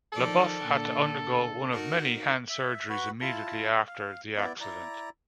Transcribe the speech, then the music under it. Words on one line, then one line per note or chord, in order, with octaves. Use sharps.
LaBeouf had to undergo one of many hand surgeries immediately after the accident.
D#3 F3 A4 D5
A#2 D3
D#4 F#4 A#4
E5
F#4 B4 F#5 B5
E4 F4 A5
F5
B3 E4 D5
E4 D5 A#5